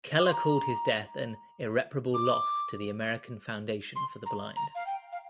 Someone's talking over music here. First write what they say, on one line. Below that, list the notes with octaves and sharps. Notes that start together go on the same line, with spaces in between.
Keller called his death an "irreparable loss" to the American Foundation for the Blind.
D6
C6
A#5
D6
C6
A#5
A#5
F5
G5
F5